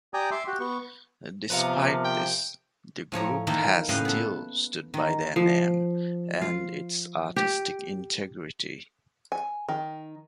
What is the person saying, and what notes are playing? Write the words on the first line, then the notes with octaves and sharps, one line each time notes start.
Despite this, the group has still stood by their name and its artistic integrity.
G4 D5 G5 G#5 A#5 D#6
E5 C6 D6
F#4 G4
B3 C#6
C3 F3 B3 A#4 F5
G5
A2 F3 C#5 A#5
D#3 E3 A#3 D#4 A4
A2 C#3 B4 D#5 F5 G5
B3 A4
D#3
F3
F4
G4
G#5
D#3